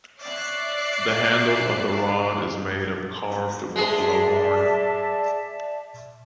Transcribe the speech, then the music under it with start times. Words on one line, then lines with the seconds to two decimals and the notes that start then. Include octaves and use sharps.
The handle of the rod is made of carved buffalo horn.
0.21 C#5 D5 E5 D6 F#6 C7
3.76 G#3 G#4 D5 E5 A5